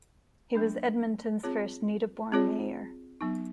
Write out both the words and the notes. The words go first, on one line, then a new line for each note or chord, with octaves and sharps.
He was Edmonton's first native-born mayor.
F#3 A#3 D4
C4 F4 G#4 C#5
C4 F4 G#4 C#5
F#3 B3 D#4